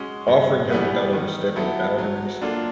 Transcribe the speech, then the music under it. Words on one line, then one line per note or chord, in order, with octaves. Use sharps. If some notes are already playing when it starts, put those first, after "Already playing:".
offering help without overstepping boundaries,
Already playing: G#3 C#4 F#4
G2
E3 G3 B3
D#3
F#3 B3 E4 A4
F#3
A#3 D4 F4 A4